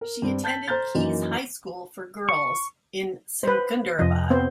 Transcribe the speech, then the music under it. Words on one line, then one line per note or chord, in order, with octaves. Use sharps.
She attended Keyes High school for girls in Secunderabad.
A#4
G2 C4
A5 G6 A6 B6 F#7
C5 A#5 F6 G6 A6
F#2 E3 A#3 D#4
C#6
B4 C5
F2 C3 F3 D#5
B3 C4 C5